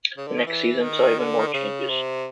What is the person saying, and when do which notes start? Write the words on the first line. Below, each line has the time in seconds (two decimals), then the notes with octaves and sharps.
The next season saw even more changes.
0.17 C#3
0.27 D3
0.37 D#3
0.47 E3
0.82 D#3
1.18 D3
1.39 D#3
1.47 D3
1.54 C#3
1.89 C3